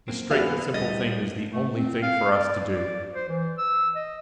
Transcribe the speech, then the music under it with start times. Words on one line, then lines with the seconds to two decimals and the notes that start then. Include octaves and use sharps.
The straight and simple thing is the only thing for us to do.
0.08 F#2 A#3 C4
0.31 E2 B3 F#4 G4 E5 F5
0.74 D1 G3 D#5 A6
1.52 A3
1.77 C4
2.03 F5
2.31 D5
2.72 D5
3.14 C5
3.28 E3
3.58 E6
3.96 D#5